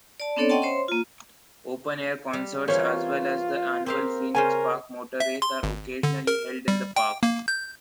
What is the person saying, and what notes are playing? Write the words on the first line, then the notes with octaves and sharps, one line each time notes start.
Open-air concerts as well as the annual "Phoenix Park Motor Race" are occasionally held in the park.
D5 A5
B3 C4 D4 A4 C#5 D5
C#4 D#5 F#5 G5 A5 C6
C5 C#5 E5 C6
A#3 F4
G3
E3 A#3 C#4 F4 C5 C#5
C4 G4 A#4 F5
C#3 C#4 A#4 C5 G#5
E5
C6
G#1
D3
A#4
G3
G5
A#3
G6